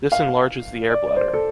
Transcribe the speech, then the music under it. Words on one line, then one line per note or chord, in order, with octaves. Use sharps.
This enlarges the air bladder.
F5
D5
D5
C5
A4